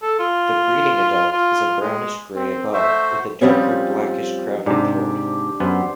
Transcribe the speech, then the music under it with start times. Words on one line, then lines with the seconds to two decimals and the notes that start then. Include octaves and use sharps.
The breeding adult is brownish grey above with a darker blackish crown and throat.
0.02 A4
0.20 F4
1.32 F4
1.81 G#3
2.36 C4
2.73 A3 F#4 C5 E5
3.41 F3 G3 C4 C#4
4.66 G#2 C3 D4 G4
5.60 F#2 B3 C5